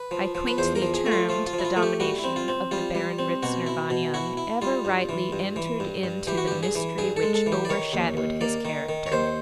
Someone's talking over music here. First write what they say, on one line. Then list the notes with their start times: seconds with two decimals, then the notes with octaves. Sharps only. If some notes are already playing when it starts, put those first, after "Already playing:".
I quaintly termed the domination of the Baron Ritzner von Jung, ever rightly entered into the mystery which overshadowed his character.
Already playing: B4
0.11 F3
0.35 F3
0.48 B4
0.58 E2 C5
0.76 A#4
0.82 F3
0.94 G#4
1.06 A3
1.12 F4
1.29 F3 F4
1.47 F4
1.53 F3
1.59 E4
1.65 F4
1.76 A3
1.83 G4
2.00 G3 F#4
2.18 E4
2.24 C4
2.36 F4
2.48 C4
2.71 G3 F4
2.95 G3
3.19 C4
3.43 B2 F#4
3.67 E4
3.90 B2
4.14 E4 F#4
4.37 E4
4.62 G3 F4
4.85 G2
5.09 E3
5.32 G2
5.56 E3
5.80 G2
6.03 G2
6.27 E3 G4
6.38 F#4
6.47 G2 G4
6.63 G#4
6.75 E3
6.98 G2 G#4
7.17 A4
7.23 G#3
7.34 A4
7.46 E3
7.52 G4
7.65 D5
7.69 D#3 C#5
7.93 D#2
8.17 D#2
8.41 A#3 D5
8.65 D#3
8.89 D#3
9.06 C#5
9.12 D#2 C5